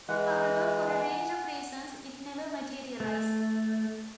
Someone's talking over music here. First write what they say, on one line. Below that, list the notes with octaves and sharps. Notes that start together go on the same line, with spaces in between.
However, for a range of reasons it never materialised.
E3 G#3 F#5
F#5 G#5
A3